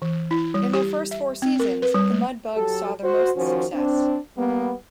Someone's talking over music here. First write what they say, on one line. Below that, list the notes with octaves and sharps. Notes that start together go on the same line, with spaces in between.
In their first four seasons, the Mudbugs saw their most success.
E3
E4
G3
G4
E5
C4
A#4
B4
G3
A3
F#3 G4 A4
F#4 C5
D#3 F3 C#4 F#4 C5
C4 D4
G3 A#3 B3